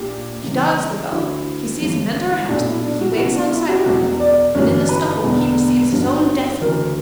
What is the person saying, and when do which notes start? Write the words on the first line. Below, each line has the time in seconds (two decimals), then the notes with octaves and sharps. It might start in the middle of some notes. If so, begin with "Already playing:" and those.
He dogs the fellow, he sees him enter a house, he waits outside for him, and in the scuffle he receives his own death-wound.
Already playing: A#1 A#2 G4
0.42 C#2 C#3 E3
1.11 D2 D3 E4
1.80 G1 G2 E3
2.49 B1 A#2 D4
2.66 E4
2.82 D4
3.01 F#4
3.12 E4
3.17 C#2 B2 F#4
3.35 D4
3.52 E4
3.69 F#4
3.78 G4
3.86 E1 E2 B2 F#4
4.20 D5
4.55 G1 F#2 E3 C#5
4.89 B4
5.24 E1 E2 D3
5.92 G1 F#2 D3
6.61 D2 C#3 E3 A#4